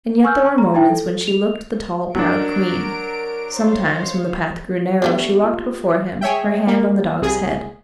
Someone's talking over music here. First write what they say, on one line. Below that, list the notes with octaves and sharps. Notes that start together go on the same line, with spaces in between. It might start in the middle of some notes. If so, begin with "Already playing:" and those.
And yet there were moments when she looked the tall proud queen. Sometimes, when the path grew narrow, she walked before him, her hand on the dog's head.
G#5 C#6 E6 F6 G6
A5 C#6
A#5
D#4 E4 E5 G5 A5
A4
F7
F#3 D4 A#4 A#5 D7
C5 C#5 F5
A3 B3 C#4 D4 F#4 G4
F4
G#4 C#5 E5 G5
A#3
C2 G#4